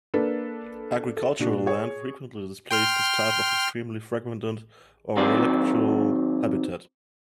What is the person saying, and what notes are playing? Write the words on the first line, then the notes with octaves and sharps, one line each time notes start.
Agricultural land frequently displays this type of extremely fragmented, or relictual, habitat.
A#3 D4 A4 B4
A4
A#2 D4 F#4
G#4 C#5
G5 C6 F6
D#3 F#3 C4 D5